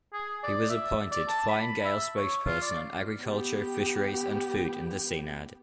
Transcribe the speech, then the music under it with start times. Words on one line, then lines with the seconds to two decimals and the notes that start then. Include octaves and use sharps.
He was appointed Fine Gael spokesperson on Agriculture, Fisheries and Food in the Seanad.
0.13 G#4
0.43 D5
0.70 E5
1.11 D5
1.28 A5
1.49 B5
1.85 E5
2.16 C#5
2.47 F4
2.62 D5
3.23 B3 G4